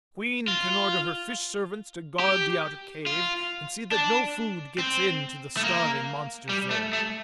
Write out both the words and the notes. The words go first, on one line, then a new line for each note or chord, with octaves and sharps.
The Queen can order her fish-servants to guard the outer cave and see that no food gets in to the starving monsters there.
F4
G4
F4
D4
C4
A3
A#3
G3
A3
A3